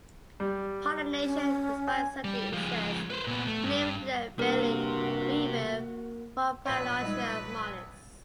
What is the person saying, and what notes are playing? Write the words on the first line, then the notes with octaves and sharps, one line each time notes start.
Pollination is by certain insects, namely the belid weevil "Rhopalotria mollis".
G3
C#4
G#5
G3
F3 G#3
B4 C5
A#2 B3
A3
G2
G2 C3 A#3 F#4 A#4
A#1 B4 C#5
G3 G#3 D#4